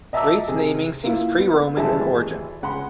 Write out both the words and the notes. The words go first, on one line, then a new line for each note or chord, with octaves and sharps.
Rates naming seems pre-Roman in origin.
D#5 E5 A5 A#5 D6 E6
C3 G#4
A#3 E4 F4
B3
G#1 E3 G3 G#3 E5 A5
C#2 F#5 B5 C6